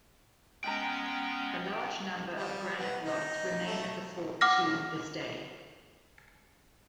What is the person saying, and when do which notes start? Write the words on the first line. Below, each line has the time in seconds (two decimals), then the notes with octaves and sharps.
A large number of granite blocks remain at the fort to this day.
0.64 G#3 B3 C#4 G5 A#5 F#6
2.34 G3
2.78 B3
3.03 D#4
3.67 A3
4.41 F#5 D6 F6 A#6